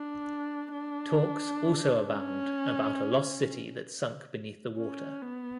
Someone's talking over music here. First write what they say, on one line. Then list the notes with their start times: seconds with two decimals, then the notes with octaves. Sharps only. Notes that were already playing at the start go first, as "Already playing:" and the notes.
Talks also abound about a lost city that sunk beneath the water.
Already playing: D4
0.73 D4
2.09 C#4
4.78 C#4
5.22 B3